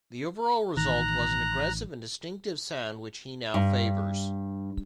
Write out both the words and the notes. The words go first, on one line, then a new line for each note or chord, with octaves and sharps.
The overall result was an "aggressive and distinctive" sound which he now favors.
A1 D#3 A#5 F#6
G2